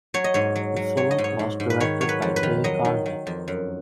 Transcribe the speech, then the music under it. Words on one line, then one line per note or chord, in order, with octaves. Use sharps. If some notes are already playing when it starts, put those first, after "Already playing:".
The film was directed by Tay Garnett.
F#3 C#5
D#5
G#2 C#5
F#3
F#3
F#3 C#5
D#5
G#2
C#5
G#2
G#2
B4
D#3 C#5
F#3 C#5
B4
F2
B4
D#3
F#3 D#5
D#3
D#3
F2
F#2